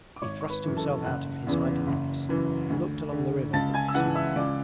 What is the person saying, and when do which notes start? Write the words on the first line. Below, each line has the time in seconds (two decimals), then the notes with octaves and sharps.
He thrust himself out of his hiding-place and looked along the river but could see nothing.
0.16 D6
0.22 G#1 C#5 C#6
0.41 C#6
0.49 B4 B5
0.64 F#2 E3
0.77 A4 A5
1.04 F#1 F#5 F#6
1.47 E2 C#3 E3
1.87 F#1
2.29 F#2 E3
2.70 D2
3.12 D3
3.53 C#2 A5 A6
3.74 G#5 G#6
3.89 E6
3.94 C#3 E3 F#5 F#6
4.15 E5 E6
4.35 C#2 D5 D6